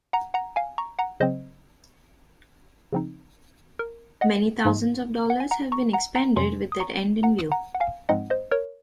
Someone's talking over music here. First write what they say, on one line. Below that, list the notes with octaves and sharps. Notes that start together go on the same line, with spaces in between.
Many thousands of dollars have been expended with that end in view.
F#5 A#5
F#5 A#5
F5 G#5
A#5 C#6
F#5 A#5
C#3 F#3 C4 C5 D#5
C#3 F3 C4 D#4
A#4
D#5 F#5
G#2 F3 A#3 D#4
F#5
G#5
F#5 A#5
A#5 C#6
F#5 A#5
F#5 A#5
F2 C3 F#3 C#4 G#5 C6
D#6
A#5 C#6
F#5 A#5
F#5 A#5
F#5
F5 G#5
G#2 F3 G#3 C4 D#4 D#5 F#5
C5 D#5
A#4 C#5